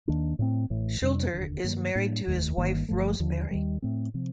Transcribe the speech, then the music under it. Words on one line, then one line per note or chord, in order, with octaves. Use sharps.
Schulter is married to his wife, Rosemary.
D#2 D#3 A#3 D4
A2 A3 C4
A1 A2 A3
F2 C3 G3 D4
F1 D#2 D3
G2 D#3 A#3
A2 G3 A#3 D4
F1 D#2 D#3 A3
G1 G2 D#3 A#3
G1 G2 F3 A3
D#2 D3 F3
D#2 D#3 G3
A2 A3 C4
C3 F3 C4